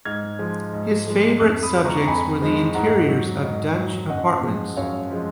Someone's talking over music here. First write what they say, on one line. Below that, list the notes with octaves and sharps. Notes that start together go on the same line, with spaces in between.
His favourite subjects were the interiors of Dutch apartments.
G#2 F6 G#6
F3 G#3
G#2
F3 G#3
F2 D#6 F#6
B5 D#6
F3 G#3
A#5 C#6
A#5
F2 G#5 B5
F3 G#3
G#2 F#5 A#5
F#3
G#2
F#3
F#2 D#5 F#5
F3 G#3
F#2 C#5 F5
F3 G#3